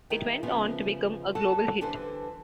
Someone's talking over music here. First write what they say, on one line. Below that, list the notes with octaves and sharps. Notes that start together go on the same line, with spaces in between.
It went on to become a global hit.
D#3 G3 E4 A#4
C#3 F3 A3 B3
F#3 A4 F#5 A5
D3 E3 G3 A4 B4 C5